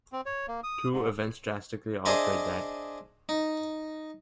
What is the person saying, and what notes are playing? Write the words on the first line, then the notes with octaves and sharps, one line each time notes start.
Two events drastically altered that.
C4
C#5
A#3
D#6
G#2
D4 G#4 C5 D#5 E5
D#4